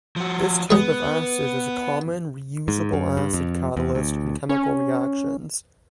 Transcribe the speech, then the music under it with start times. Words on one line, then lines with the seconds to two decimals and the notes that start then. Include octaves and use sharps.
This type of acid is a common re-usable acid catalyst in chemical reactions.
0.16 F3 F#4
0.71 G#3 B3 G#4
2.68 G#2
2.93 F#2
3.17 G2
3.33 F2
3.77 E2
3.95 D2
4.49 C#4